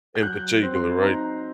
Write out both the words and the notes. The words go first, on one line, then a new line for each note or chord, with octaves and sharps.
in particular, right?
G6
F#3 F#6
C4
C6
D#4 A#5